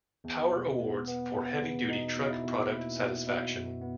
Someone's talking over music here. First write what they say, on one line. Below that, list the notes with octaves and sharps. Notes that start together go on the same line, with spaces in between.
Power Awards for Heavy Duty Truck Product Satisfaction.
E2
B2
B3
B3
B3
E2
B2 D#4 D#5
B2
E4 E5
B2
A#3 E4 E5
B2
B2
F#2
B3